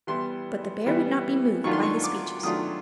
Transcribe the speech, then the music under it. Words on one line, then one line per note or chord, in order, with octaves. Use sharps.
But the bear would not be moved by his speeches.
E3 G3 B3 E4 C6
E3 G3 B3 E4
D#3 F#3 A3 D4 F4 C#6
C6
C#6
D6
D#3 F#3 A3 D4 F4 D#6